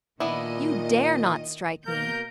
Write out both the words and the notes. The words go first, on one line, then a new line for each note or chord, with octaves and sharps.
You dare not strike me!
A#2 D#3 B3 D4 E4 D#5
B2 A#3 A#4 G6